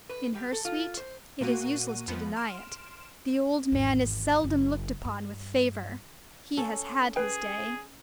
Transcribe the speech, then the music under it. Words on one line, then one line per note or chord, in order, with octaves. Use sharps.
In her suite--it is useless to deny it--the old man is seldom looked upon with favour: he has had his day.
B4
G3
A4
F4
C5
A#2 A#3 F#4 D#7
F2 F3 B3
C6 F6 D7 E7
G#1 E2
F#1
G2
C#4 A4
G#4 B4 G5